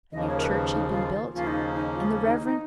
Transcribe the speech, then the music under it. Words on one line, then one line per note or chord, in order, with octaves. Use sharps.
A new church had been built, and the Rev.
D#2 C#3 F3 D#5
C#5
A#4
B4
D#4
F4
D#2 C#3 F3 A#3 C#4 F4
D#4
D#4
F4
D#4
D#4